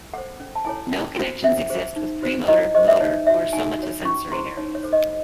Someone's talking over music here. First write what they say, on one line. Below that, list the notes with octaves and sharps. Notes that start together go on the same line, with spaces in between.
No connections exist with premotor, motor, or somatosensory areas.
A4 C5 F#5
C#4
A5
E4 A4 C#5 G#5
C#4
F#4 C5
C#4 E5
G#4 C5
D#4
F#4 C5
E4 D#5
G#4 C5 D#5
E5
D#4 C#5
F#4 C#5 E5
D#4 G#5
F#4 C#5
C#4 C#6
E4 G#4 C5 C6
D#4 C#5
C#5
A4 C5
D#5